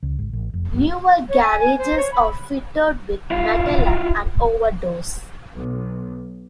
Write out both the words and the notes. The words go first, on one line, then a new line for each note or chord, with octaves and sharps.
Newer garages are fitted with metal up-and-over doors.
C#2
G#1
A1
F1
F#1
C#5
G#5
G#5
C5
C#5
B5
E4 F4
B1